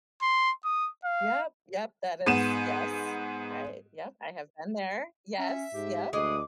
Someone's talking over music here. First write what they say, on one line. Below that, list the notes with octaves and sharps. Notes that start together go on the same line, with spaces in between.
Yep, yep, that is yes, I yep, I have been there, yes, yep.
C6
D#6
F5
G#2 B3 D#7 E7
C#4 E5
G#2 G4
D2 G#3 D6 D#6